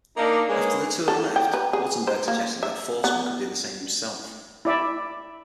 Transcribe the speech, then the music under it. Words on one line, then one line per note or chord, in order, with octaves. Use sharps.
After the two had left, Ruttenberg suggested that Forstmann could do the same himself.
A#3 D4 D#4
G#3 A#3 B3 D#4 G#4 C#5
A4
G5
B4
G#4
C5
A#3
E5
B3
E4 D5 E5